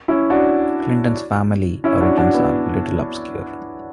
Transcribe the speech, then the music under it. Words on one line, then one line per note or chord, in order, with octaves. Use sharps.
Clinton's family origins are a little obscure.
C#4 E4
D4 F#4
C#4 E4
D4 F#4
D4 F#4
B3